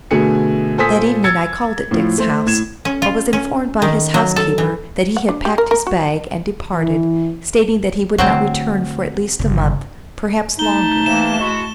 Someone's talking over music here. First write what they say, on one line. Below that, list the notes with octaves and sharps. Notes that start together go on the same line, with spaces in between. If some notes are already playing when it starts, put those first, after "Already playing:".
That evening I called at Dick's house, but was informed by his housekeeper that he had packed his bag and departed, stating that he would not return for at least a month, perhaps longer.
B2 D3 A3 G#4 G#5 C#7
A#2 A4 C5 G#5 D#6 B6
E6 G#6 A6 C#7
A2 F3
A3 C5
A2 G#6 E7
C#4
F4
C#4
D#3
F#3
A4
E3
F#5
D4
G4
A#4
A#4
F#4
E3
D3 F#3 A3 C4 C5
G1 C#3
A3 D#4 A5 G7
C3 E3 A#3 E7
G#3 E4 F#4